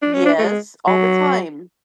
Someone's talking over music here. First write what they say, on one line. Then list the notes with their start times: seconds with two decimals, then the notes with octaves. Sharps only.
Yes, all the time.
0.02 D4
0.14 C#4
0.26 D4
0.39 A3
0.45 G#3
0.87 F#3